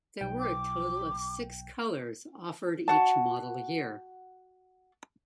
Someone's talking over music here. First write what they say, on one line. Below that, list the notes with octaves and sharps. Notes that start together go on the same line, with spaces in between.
There were a total of six colors offered each model year.
B1 G5
D6
F#4 F#5 A5